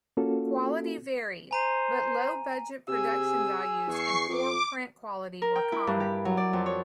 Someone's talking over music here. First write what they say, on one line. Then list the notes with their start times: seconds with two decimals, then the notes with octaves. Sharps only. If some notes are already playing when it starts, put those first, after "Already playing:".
Quality varied, but low budget production values and poor print quality were common.
0.17 A#3 C#4 F4 F#4 A4
1.51 C5 G#5 A#5 D#7
2.88 C3 G#4 G#5 E6
3.88 E2 C#6 C7
4.29 F2 D6
5.42 A#4
5.55 G5
5.72 E4
5.87 G2
6.00 G4
6.25 F#3
6.37 D5
6.53 F2
6.66 C#5